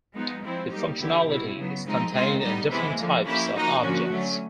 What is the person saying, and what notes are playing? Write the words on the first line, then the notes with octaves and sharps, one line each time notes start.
The functionality is contained in different types of objects.
F3 G#3 B3 D#4
F3 G#3 C4 E4
G3 A#3 D#4 G4
D3 F#3 B3 E4 G4
B2 G3 C4 E4
C#3 F#3 B3
F3 G#3 C4 D#4
D#3 G#3 C4 F4
G3 B3 D#4
C3 E3 G#3 B3 E4
D3 F3 A#3
F3 A#3 C#4 E4 G4
F3 A#3 D#4 F#4
D3 F3 A#3 C#4 F#4
D3 F#3 A3 C#4